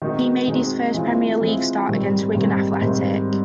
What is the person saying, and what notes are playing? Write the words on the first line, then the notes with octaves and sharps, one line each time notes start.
He made his first Premier League start against Wigan Athletic.
D#3 G#3 C4 D#4 F#4
D#3 G#3 C4 D#4 F#4
E3 G#3 C4 F4
E3 G#3 C4 F4
G#2 D#3 G3 C4
G#2 D#3 G3 C4
G#2 D#3 G3 C4
G3 C4